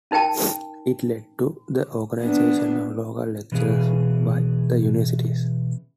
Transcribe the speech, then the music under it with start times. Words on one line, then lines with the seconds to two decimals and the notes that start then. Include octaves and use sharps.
It led to the organisation of local lectures by the universities.
0.11 C#4 D#4 A#4 G5 A5
2.21 B3 D4
3.52 B2 E3 B3 C#4 G#4 F5